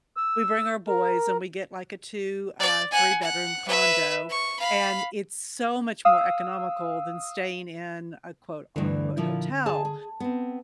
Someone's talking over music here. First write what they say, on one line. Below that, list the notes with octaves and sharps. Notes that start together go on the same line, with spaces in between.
We bring our boys and we get, like, a two, uh, three-bedroom condo, and it's so much more economical than staying in a quote, unquote “hotel.”
E6
A#4
D5
F#5 G#5
F#5
B4 E5
C#6
F5 B5
F5 D#6 E6
D2 G2 D3 E3
A#2 F3 E4
G#4 G#5 A5
G#4
B3 C4